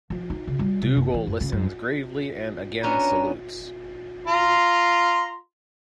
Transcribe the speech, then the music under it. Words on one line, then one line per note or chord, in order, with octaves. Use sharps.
Dougal listens gravely and again salutes.
F3
D#4
C#3
G3
C3
F#1
E3
F#2
C#3
F#2
B3 C#4 D4 A#5
F4 A#5 C6